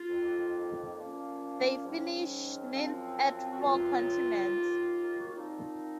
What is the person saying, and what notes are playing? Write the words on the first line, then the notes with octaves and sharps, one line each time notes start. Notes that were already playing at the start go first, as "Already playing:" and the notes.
They finished ninth at Four Continents.
Already playing: F4
F2 D#3 A#3
A#2 F3 A#3 C#4
G#2 D#3 F#3 C#4
F#2 F3 C4
F#4
C#2 C3 F#3 F4
D#2 D#3 A#3
A#4
G#4
F#4
F4
A#2 F3 C4 D#4